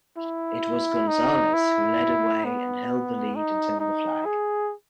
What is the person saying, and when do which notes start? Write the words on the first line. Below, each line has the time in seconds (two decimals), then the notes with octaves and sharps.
It was Gonzalez who led away and held the lead until the flag.
0.17 E4
1.08 D#4
1.53 E4
2.44 B3
3.35 D#4
3.80 D#4
4.25 G#4